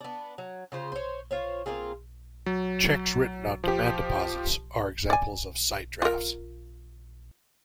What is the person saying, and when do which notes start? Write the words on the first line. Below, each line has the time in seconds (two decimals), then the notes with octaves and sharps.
Cheques written on demand deposits are examples of sight drafts.
0.01 B3 D4
0.38 F#3
0.72 C#3 F4 C5
0.92 C5 C#5
1.31 F4 C5 C#5
1.66 A#3 C4 F4 G#4
2.46 F#3
3.64 F3 G4
5.10 D5 G#5
6.02 F4 A#4